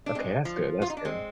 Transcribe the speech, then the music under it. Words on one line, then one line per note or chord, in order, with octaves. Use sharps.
Okay. That's good, that's good.
D4
G#3 C4
F3
F4
D#4
D4
G#3 C4